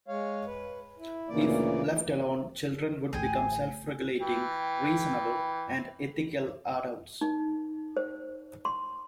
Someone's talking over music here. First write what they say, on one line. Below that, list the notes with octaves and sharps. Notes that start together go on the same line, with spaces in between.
If left alone, children would become self-regulating, reasonable and ethical adults.
G#3 C#5 F5
B4
E4
D2 A#2 C#3 E3 A#3 D5
A1 D2 G#4 G5 G#5
E3 G5
D#4
C5
C6